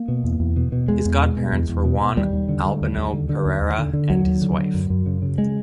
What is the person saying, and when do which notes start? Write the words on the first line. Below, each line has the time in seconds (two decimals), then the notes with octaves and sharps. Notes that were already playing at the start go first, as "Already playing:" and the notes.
His godparents were Juan Albano Pereira and his wife.
Already playing: A#3
0.08 B2
0.24 E2
0.40 E2
0.56 B2
0.72 B2
0.88 E2 G#3
1.05 E2
1.20 B2
1.37 B2
1.53 E2
1.69 E2
1.85 B2
2.01 B2
2.17 D#2 G3
2.33 D#2
2.49 D3
2.65 D3
2.81 D#2
2.98 D#2
3.13 D3
3.29 D3
3.46 D#2
3.62 D#2
3.78 D3
3.93 D3
4.10 D#2 F#3
4.26 D#2
4.41 D3
4.57 D3
4.74 F#2
4.90 F#2
5.06 C#3
5.22 C#3
5.38 G#3